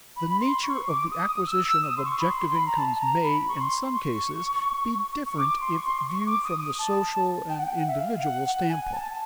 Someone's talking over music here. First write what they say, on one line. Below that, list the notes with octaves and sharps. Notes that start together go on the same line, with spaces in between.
The nature of the acquisition of objective incomes may, in some cases, be different if viewed from the social and individual standpoints.
B5
B5
C6
C#6
D6
D#6
D#6
E6
E6
D#6
C6
C#6
B5
C6
B5
A#5
A5
A5
A#5
B5
C#6
C6
C#6
C#6
D6
C6
C#6
C6
C#6
D6
D#6
D#6
A5
G5
F#5
G5
F#5
E5
F5
F#5
F#5
G#5
G#5
A5